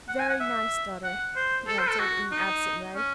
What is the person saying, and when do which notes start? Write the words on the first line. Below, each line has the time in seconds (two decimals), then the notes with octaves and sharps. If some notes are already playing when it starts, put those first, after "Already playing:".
"Very nice, daughter," he answered, in an absent way.
0.08 F#5
0.19 G#5
0.29 F#5
0.40 E5
1.04 F#5
1.36 C5
1.68 A4
1.79 C5
1.89 A4
2.00 F#4
2.32 D#4
2.95 C#4